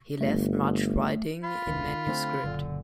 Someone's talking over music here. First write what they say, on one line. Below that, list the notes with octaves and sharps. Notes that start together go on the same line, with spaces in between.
He left much writing in manuscript.
G1 A3
F4 B5
E1 C#2 E3
D3 A3 C4
F#1 A#2 D3